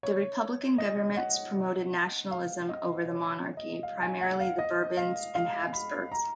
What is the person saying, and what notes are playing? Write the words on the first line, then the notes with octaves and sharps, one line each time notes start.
The republican governments promoted nationalism over the monarchy, primarily the Bourbons and Habsburgs.
C#5
D#5
F#5
F5
D#5
C#5
D#5
F5
G#5
F#5
F5
D#5
F5
F5
B5
A#5